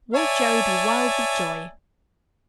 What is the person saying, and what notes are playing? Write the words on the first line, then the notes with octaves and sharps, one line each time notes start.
Won't Gerry be wild with joy?
C#5 D5 E5 G#5 A5